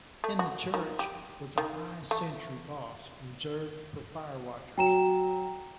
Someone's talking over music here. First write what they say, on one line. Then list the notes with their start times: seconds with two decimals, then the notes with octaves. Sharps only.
In the church was a high sentry bos reserved for fire-watchers.
0.24 A3
0.39 F#4
0.74 D#3
0.99 G4
1.58 D#3
2.11 A3
4.78 F#3 G5 A#5 E7